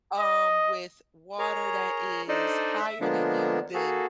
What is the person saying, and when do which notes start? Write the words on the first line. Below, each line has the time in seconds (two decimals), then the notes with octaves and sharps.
um, with water that is higher than you, then,
0.19 D#5
1.39 G#4 A#4 C#5 A#5
2.29 D4 D#4 A4 C5 D5 D#5
2.79 E5
3.01 D3 F3 G#3 A#3 B3 D4
3.74 A#3 F#4 G#4 A4